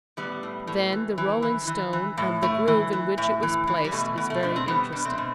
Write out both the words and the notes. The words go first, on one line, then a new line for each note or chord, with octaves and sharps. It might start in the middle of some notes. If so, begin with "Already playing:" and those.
Then the "rolling stone" and the groove in which it was placed is very interesting.
A2 G3 B3
A2
A2
E3
E3
E3
E3
E3
A2
A2 A3
E3
E3
A2
E3
E3
G3
B2 A3
B2
A3
B2 D4
C4
B2 G3 B3
B2 D4
A3 C4
B2